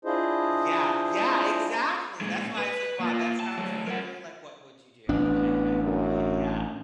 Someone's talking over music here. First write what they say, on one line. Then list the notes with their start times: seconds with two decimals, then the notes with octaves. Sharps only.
Uh, yeah, yeah, exactly, that's why I was, like, "Wow, that sounds literally, like, 'What Would You Do.'" I I totally yeah.
0.05 D4 E4 F4 G#4 C5 D#5
2.21 A#2 G#3
2.58 B4
3.00 A#3 F4
3.40 A5
3.58 F#3 A3
3.87 A#4 F#5
5.09 A1 B3 D4
5.83 F#2